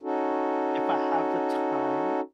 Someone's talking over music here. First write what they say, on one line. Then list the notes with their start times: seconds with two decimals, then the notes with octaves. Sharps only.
If I have the time,
0.03 C#4 D#4 F#4 A4